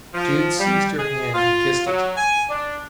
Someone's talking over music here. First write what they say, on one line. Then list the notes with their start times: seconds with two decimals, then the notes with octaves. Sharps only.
Jude seized her hand and kissed it.
0.14 F3
0.60 G3
0.99 G#4
1.35 F4
1.87 F#3
2.17 G#5
2.50 D4